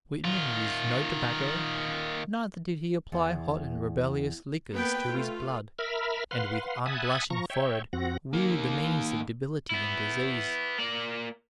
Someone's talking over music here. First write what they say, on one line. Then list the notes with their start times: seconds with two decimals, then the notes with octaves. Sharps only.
Whitman used no tobacco, neither did he apply hot and rebellious liquors to his blood and with unblushing forehead woo the means of debility and disease.
0.25 D#3 F4
3.12 E2
4.72 A#3 B3 B4 G5
5.07 A3 F4
5.79 A#4 E5 B5 F6
6.31 B4 F5 F#5 C6
6.86 E5 F#5 G#5 A5 B5 D#6
7.30 F3 A#5 C#6
7.50 C#5 E5 G5
7.93 F2 C4 F#4 F#5 A#6
8.33 D#3 A#3
9.70 B3 E4
10.79 A#3 D5